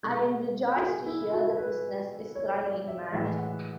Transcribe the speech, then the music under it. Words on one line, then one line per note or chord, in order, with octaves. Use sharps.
I am rejoiced to hear the business is thriving, Mat.
B2 G#3 A4
F#4
G#4
E4
F#4
B4
C#5
D5
E5
A2 E3 G#3 E5
F#5